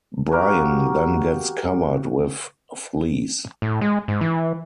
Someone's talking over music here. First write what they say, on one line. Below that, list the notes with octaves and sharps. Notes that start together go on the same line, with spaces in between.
Brian then gets covered with fleas.
F#4 G4 A#4 F5
A2
G#3
G#2
E3